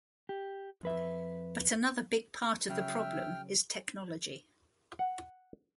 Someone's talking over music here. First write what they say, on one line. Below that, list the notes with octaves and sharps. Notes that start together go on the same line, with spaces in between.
But another big part of the problem is technology.
G4
F2 B4 E5
C#3 F#3 E5 G5 F6
F#5